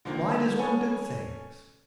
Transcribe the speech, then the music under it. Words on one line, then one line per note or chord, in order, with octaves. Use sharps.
Why does one do things?
D3 D#3 F3 A#3
C#4 A4 G#5